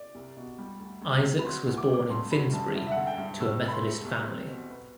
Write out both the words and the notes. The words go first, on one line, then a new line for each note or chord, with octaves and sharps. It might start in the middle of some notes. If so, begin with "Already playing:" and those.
Isaacs was born in Finsbury to a Methodist family.
Already playing: D5
C2
B2
G3
D2
D2
C3
B5
F#3 C6
D2
D6
C3 D6
G2 C6
F#3 B5
G2 A5
G2
E5
D3 F#5
G5
G2
A2 E6
A3
B5
C6
A3
C2
C4
B2
B3